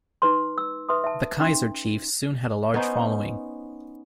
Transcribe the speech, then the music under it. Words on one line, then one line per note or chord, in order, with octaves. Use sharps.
The Kaizer Chiefs soon had a large following.
D#4 B4 C6
E6
B4 E5 C6 D#6
E5 A5
C#4 D#4 C6
B3 C#4 D#4 C5